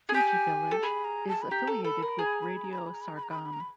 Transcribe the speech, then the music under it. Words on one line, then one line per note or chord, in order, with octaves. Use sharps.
"Fijivillage" is affiliated with Radio Sargam.
G#4
G4 G#5
A4
G#4 B5
A#5
A5
B5
G4 A#5
A4
A4 B5
A#4
G#4 A#5
B5
A#5
B5
A#5
B5
A#5
B5
A#5
B5
A#5
B5
A#5
B5
A#5
B5
A#5
B5
A#5
B5